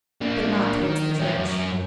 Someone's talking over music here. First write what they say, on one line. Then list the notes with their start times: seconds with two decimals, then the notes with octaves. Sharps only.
But not towards the church.
0.21 A#3 D4
0.81 D#3
1.20 C#4 G4
1.37 F#2